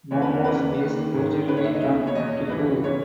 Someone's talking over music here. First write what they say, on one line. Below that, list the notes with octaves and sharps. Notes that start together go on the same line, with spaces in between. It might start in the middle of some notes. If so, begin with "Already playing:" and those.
Momose is originally from Gifu.
E2 C#3 E3 C#5
B4
A#4
D#2 C#3 E3 B4
D#2 D#3
G#2 D#3
D#2 D#3 B4
C#5
E5
D#5
C#2 B2 E5
C#5
E2 B2 D#5
G2 E3 B4
C#3 E3 C#5